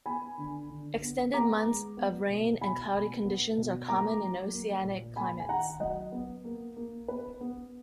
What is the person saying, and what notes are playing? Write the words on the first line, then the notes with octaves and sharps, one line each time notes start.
Extended months of rain and cloudy conditions are common in oceanic climates.
B3 G#5 B5
D3
D3
B3
B3 A#5 D6
G#3
B3
B2
B2 G#5 B5
B2
B3
B2
A#3 A#5 D6
F#3
A#3
A#2
A#3 G#5 B5
G#5
D#3 F#5 A#5
F#3 D#5 F#5
B3
A#3
A#3
B3 B4
B3